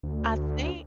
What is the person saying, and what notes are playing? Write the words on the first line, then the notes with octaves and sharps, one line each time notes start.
I think
D2